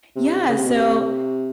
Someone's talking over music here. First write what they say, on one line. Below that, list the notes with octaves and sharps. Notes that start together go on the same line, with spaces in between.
Yeah, so
C3
C#3
C3
B2
C3